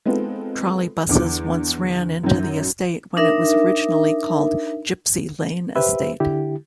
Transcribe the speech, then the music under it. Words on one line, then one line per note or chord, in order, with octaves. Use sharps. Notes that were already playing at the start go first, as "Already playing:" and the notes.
Trolleybuses once ran into the estate when it was originally called Gypsy Lane Estate.
G#3 B3 C4 D#4 F4 A4
E2 D3 D6
F#2 D#3 F#3 G6
D4 D#4 A#4 E5
G4 B4 C5 E5
D3 E4 G4